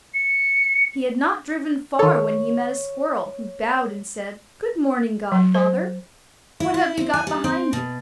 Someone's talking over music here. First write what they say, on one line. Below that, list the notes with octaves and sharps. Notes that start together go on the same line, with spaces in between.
He had not driven far when he met a squirrel, who bowed and said: 'Good-morning, godfather! what have you got behind you?'
C#7
D#3 A4 C#5
F#3
C5
E4
E4
C4
G#5
G3
C4
B2